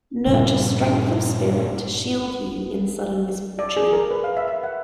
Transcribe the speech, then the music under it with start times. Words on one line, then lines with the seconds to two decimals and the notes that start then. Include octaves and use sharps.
Nurture strength of spirit to shield you in sudden misfortune.
0.26 G2 A#2 C#3
3.59 D5
3.77 G#4
3.93 A#4
4.11 B4
4.24 F5
4.37 E5
4.48 E5
4.63 F#5